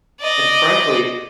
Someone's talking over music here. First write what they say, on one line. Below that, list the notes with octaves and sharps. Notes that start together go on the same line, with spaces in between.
and frankly,
D5 D#5